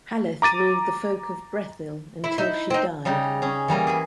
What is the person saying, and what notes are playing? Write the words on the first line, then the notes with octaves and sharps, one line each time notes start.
Haleth ruled the Folk of Brethil until she died.
A#5 D6 A6 D#7
E4
D#4 E4
C4 D#4
C#3 G3 D#4 G4
C#4 G#4
E3 G3 A#3 D#5
G#4 G#5 B5